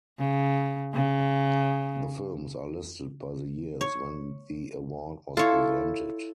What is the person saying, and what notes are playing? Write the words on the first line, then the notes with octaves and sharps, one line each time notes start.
The films are listed by the years when the award was presented.
C#3
C#3
C#5
E4 F4 A4 C#5